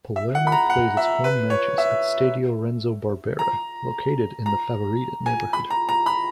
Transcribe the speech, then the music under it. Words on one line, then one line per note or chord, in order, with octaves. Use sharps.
Palermo plays its home matches at Stadio Renzo Barbera, located in the "Favorita" neighbourhood.
E5
F#5
B5
A#5
F#5
E5
B4
C#5
E5
A#5
A#5
G#5
B5
A#5
A#5
B5